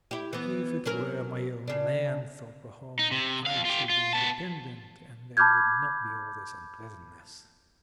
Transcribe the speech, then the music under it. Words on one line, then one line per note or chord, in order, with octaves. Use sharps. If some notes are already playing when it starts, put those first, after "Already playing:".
"If it were my own land," thought Pahom, "I should be independent, and there would not be all this unpleasantness."
E4 G4
E3 B3
F#3 C#4 A#4
C#3 D4
D#4
C3
F2 F5
F4 G4
F4
B3 A5
A5 B5 D6 F6 G6 G#6